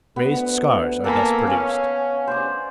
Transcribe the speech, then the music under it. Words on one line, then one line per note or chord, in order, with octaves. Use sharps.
Raised scars are thus produced.
D2 B3
A#3 A4 G#5 B5
C#4 F5 G#5
C5 D5